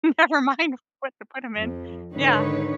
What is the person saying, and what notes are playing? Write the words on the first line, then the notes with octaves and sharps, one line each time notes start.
Never mind what to put them in. Yeah.
F2
G#2 D3 D#3 D#4 B4 C#5